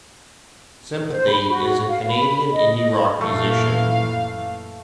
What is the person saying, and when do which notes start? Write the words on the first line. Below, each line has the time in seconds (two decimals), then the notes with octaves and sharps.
Sympathy, is a Canadian indie rock musician.
1.11 C5
1.29 B5
1.50 F#4
1.87 F5
2.08 B5
2.51 D#5
3.21 F#2 A#2 E3 A3 F5